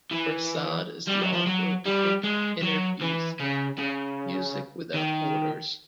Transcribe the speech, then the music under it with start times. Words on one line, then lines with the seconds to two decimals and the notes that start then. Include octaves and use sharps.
Prasad is the author of the book Innerviews: Music Without Borders.
0.11 E3
1.08 G3
1.21 F#3
1.33 F3
1.47 F#3
1.85 G3
2.24 G#3
2.62 F#3
3.01 E3
3.40 C#3
3.78 C#3
4.94 D#3